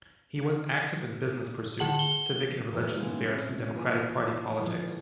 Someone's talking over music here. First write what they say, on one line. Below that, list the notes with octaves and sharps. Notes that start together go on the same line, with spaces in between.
He was active in business pursuits, civic and religious affairs and Democratic Party politics.
D3 G#4 F#5 A5 F#7
G7
C3 E3 F#3 A3
D#3 G#3 A#3 B3 C#4 E4
G#3 C4 C#4 E4
E3 A#3 F4 A#4 G#5
A2 D3 E3 F3 G#3